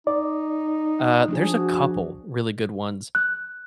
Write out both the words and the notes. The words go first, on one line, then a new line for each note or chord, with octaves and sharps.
uh, there's a couple really good ones.
D#4 D5
F3 D4 G#4
F#4
F#6